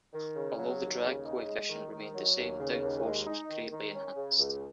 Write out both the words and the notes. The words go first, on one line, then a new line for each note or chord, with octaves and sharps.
Although the drag coefficient remained the same, downforce was greatly enhanced.
D#3
C#3
F#3
D#2
C#3
D#4
G#3
D#3
D#3
F#3
D#2
C#3
D#2
G#3
D#4
D#3
D#3
C#4
C#3
C#2